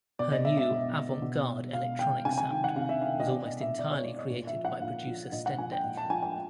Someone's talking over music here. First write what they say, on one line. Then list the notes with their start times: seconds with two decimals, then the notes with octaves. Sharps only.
Her new avant-garde electronic sound was almost entirely created by producer Stendek.
0.19 B2 D5
0.32 D#5
0.45 E5
0.57 E5
0.71 B2
1.22 B2
1.73 B2 F5
1.99 G5
2.25 C3 G#5
2.33 G5
2.38 G#5
2.50 D#3 G5
2.64 F#5
2.76 C3 F5
2.89 E5
3.02 D#3 F5
3.20 D#5
3.27 B2 D5
3.45 D#5
3.61 E5
3.79 B2 D5
3.91 C#5
4.05 D5
4.18 D#5
4.30 A#2
4.47 E5
4.56 F3
4.65 F#5
4.81 A#2 F5
5.07 F3
5.32 A#2 D#5
5.46 F#5
5.58 F3 G#5
5.72 G5
5.84 A#2
5.97 A5
6.10 F3 G#5
6.23 G#5